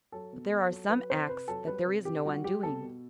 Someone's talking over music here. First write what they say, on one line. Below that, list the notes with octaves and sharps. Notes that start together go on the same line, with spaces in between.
But there are some acts that there is no undoing.
F#3 A4
B2
B2
F#3
F#3 B4
C3 C5
C3 B4
F#3 A4
G3 B4
C3
C3 G4
G3 F#4
G3 G4
B2 A4
B2